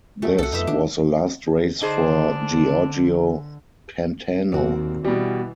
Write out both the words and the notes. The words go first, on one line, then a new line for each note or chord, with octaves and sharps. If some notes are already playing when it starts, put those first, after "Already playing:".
This was the last race for Giorgio Pantano.
F#3 A3 G#4 E5
C2 A4 F#5
F2 F3 A3 B3 D#4 E5
B2 D#3 D4
D3 D4 D#4 G#4 C5
D#2 C4 F#4 D5
B2 E3 G3